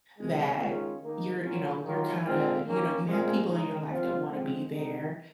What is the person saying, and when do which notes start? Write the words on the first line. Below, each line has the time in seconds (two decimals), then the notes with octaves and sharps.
that you're you know, you're kinda, you know, you have people in your life that wanna be there,
0.18 C3 D#3 G#3
0.60 D#3 G#3 C#4 F4
1.01 D#3 A#3 D#4
1.43 A#2 F#3 C#4 F4
1.84 D#3 F#3 A#3 F4
2.24 A#2 G#3 C4 F4
2.66 D#3 A#3 C#4
3.07 A#2 G#3 C4 F4
3.48 C#3 G#3 D#4
3.89 F3 C4 F4
4.30 F3 G#3 C4
4.72 C3 D#3 G#3 D#4